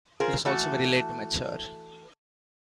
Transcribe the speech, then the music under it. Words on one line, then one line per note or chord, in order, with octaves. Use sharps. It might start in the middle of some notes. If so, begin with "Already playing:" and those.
It is also very late to mature.
F4 G#4 A#4 C5
E3 A3 F#4 A4